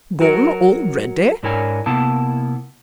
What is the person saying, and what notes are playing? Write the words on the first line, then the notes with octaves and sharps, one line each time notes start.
"Gone already?"
F#3 F#4 A#4
G#2 D4 E4 A#4 C#5 G#5
C3 A#3 B3 E4 A5